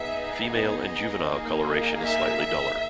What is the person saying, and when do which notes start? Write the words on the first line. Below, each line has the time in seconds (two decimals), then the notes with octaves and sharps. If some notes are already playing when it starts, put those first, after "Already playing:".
Female and juvenile coloration is slightly duller.
Already playing: B3 D#4 G#4 E5
0.51 D#5
1.26 A#3 D#4 G#4
2.02 E5